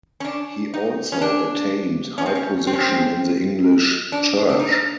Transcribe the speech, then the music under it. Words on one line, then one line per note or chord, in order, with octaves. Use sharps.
He also attained high position in the English Church.
C#4
D4
D#4
C#4
D4
C#4
C4
C#4
C4
C#4
C4
D4
D4
D#4